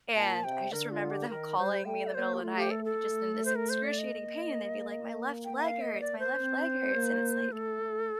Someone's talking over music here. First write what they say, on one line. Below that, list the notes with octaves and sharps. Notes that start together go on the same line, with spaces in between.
and I just remember them calling me in the middle of the night, eh, just in this excruciating pain, they'd be like, "My left leg hurts, my left leg hurts," and it's like,
A#2 A5
C3 G5
D3 A#4
F4
G4
D#3 A#4
G3 C5
A3 G5
D5
A#3 C5
G4
A3 F4
G4
A4
A4
A3
C5
A#4
C5
D5
D#5
A#3
G5
G5
F5
D#5
D5
C5
C4
A#3
A3 A4
A3